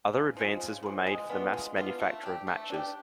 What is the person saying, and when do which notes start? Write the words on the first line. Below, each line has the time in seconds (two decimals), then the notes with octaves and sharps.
Other advances were made for the mass manufacture of matches.
0.13 C#3
0.37 F3 G#3
0.60 C#3
0.83 F3 G#3
1.07 G#3
1.30 B3 D4 F4
1.53 G#3
1.76 B3 D4 F4
2.00 A3
2.23 D4 G4
2.47 A3
2.70 D4 G4